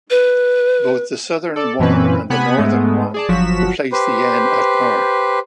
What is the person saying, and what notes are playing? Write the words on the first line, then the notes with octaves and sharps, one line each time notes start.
Both the Southern won and the Northern won replaced the yen at par.
B4
A4 D5
F#2 A#2 E3 C4 C#4 B4
C3 B3 F#5 G#5 B5
G#2 G#3 A3 B3
G#4 D5 A5
G1 F3 F#3 F#4 B6 E7
G4 B4 C5